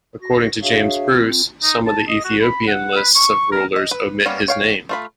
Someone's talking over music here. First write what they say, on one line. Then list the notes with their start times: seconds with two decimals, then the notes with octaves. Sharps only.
According to James Bruce, some of the Ethiopian lists of rulers omit his name.
0.22 F#4 A#6
0.62 D4 F#4 G#4 C#5 E5 F5
1.09 C4 F4
1.63 D#4
1.86 A5
2.08 D#5
2.24 F#4
2.41 B5
2.68 F#5
2.96 B4
3.16 C#6
3.52 A#4
3.76 D#5
3.91 B4
4.26 G3 A#3 B3 C#4
4.48 C#5 F5 G5
4.89 A3 F4 B5